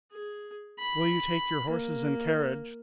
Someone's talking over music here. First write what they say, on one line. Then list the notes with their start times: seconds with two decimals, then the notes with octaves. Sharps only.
"Will you take your horses and carriage?"
0.12 G#4
0.79 B5
1.70 A#3